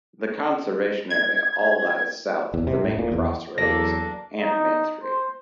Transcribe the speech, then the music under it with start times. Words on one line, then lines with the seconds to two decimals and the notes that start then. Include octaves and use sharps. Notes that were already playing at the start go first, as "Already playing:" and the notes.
The conservation area all lies south of the main crossroads and Main Street.
1.10 G#6
2.54 E2
2.67 C3
2.84 A2
2.98 A#2
3.12 E2
3.58 E2 F#3 A#3 D4 A4 A#6
4.40 D#4
5.03 C5